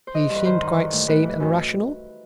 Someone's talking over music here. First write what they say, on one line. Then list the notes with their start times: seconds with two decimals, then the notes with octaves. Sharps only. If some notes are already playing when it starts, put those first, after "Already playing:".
"He seemed quite sane and rational?"
0.07 C5
0.14 E3 D#5
0.30 G2
0.36 B4
0.45 D#3 C5
0.62 D#3
0.77 E3
0.93 A2
1.08 A2 B4
1.24 E3
1.40 F#2